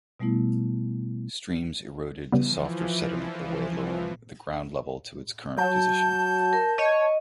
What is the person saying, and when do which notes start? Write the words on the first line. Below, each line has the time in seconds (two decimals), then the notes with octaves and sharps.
Streams eroded the softer sediment away, lowering the ground level to its current position.
0.20 B2 G3 A3 B3 E4
2.32 C#3 E3 F3 G3 B3
5.57 F#3 A5 G6
6.53 A#4
6.78 C#5 D#5